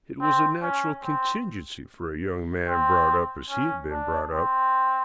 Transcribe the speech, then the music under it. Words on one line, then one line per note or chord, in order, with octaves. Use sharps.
It was a natural contingency for a young man brought up as he had been brought up.
C4
C#4
C4
C4
C#4
D4
C4